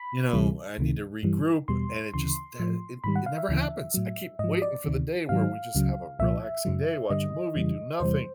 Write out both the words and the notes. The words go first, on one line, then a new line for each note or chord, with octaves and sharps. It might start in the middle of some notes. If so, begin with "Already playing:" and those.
you know, I need to regroup and it just, eh, it it never happens! I keep waiting for the day where we just have a relaxing day, watch a movie, do nothing.
Already playing: B5
D2 C3 E3 G3
C#2 C3 D#3
G2 E3 G3
E2 B2 G3 C6
D2 C#3 E3 C6
A2 F3
G#2 D#3 G3 B5
F#5
F5
E5
D2 C#3 E3
A2 F#3
G#2 F3 D#5
D5
D2 C3 D#3
G#2 D#3 F#3 F5
C#2 C#3 F#3
C2 A#2 F3 E5
F#2 C#3 F#3
G2 D3 G3 D#5
F2 C#3 E3 G3
E2 C3 E3 G3 C5